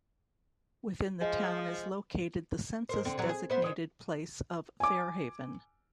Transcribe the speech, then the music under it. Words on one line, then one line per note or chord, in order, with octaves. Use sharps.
Within the town is located the census-designated place of Fair Haven.
F3 G#3
G#2 A#4 C5
D3 C4
D3 F#3 G3
G#4
B3 C5 E5
D3 G#3
G#5 D6